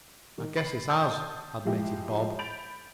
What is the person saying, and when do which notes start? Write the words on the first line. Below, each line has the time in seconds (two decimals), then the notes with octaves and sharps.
"I guess it has," admitted Bob.
0.37 D#3 D#4
0.56 B5 C7 F#7
0.89 A5 D#6 E6 G6 A6
1.65 F3 G#3 E4 G4
2.39 B5 G6 A6 D7 F7